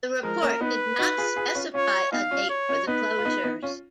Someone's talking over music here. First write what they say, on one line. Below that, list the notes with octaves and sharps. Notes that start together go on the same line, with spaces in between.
The report did not specify a date for the closures.
F3 G#3 A#4
A#3 C#4
B3 D#4 B4
D#4 F#4
F4 G#4
F4 G#4
C#4 F4
C#4 F4 C#5
B3 D#4 F5
C#4 F4
C#5
C#4 F4
B3 D#4 B4
F4
B3 D#4
B3 D#4
C#4 F4